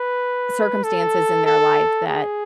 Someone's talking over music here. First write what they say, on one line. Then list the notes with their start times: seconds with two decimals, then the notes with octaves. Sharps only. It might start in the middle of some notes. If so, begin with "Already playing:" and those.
circumstances in their life that,
Already playing: B4
0.84 A4
1.46 A4
2.08 G#4